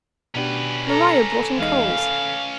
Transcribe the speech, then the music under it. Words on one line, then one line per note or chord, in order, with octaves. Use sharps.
Maria brought in coals.
B2 C#4 D4 G4 B4
A4 A#5
E2 G#3 D#4 F5
A4